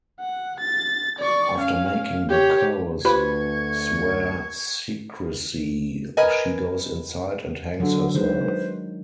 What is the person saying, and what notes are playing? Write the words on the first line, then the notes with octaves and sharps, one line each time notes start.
After making the chorus swear secrecy, she goes inside and hangs herself.
F#5
A6
D5 C#6
C#4 F5
G4 C#5
D2 F4 G4 B4 C5 C#6 G#6
A#4 B4 D#5 G#5
D3 F#3 D4
D#3 G#3 B4 C5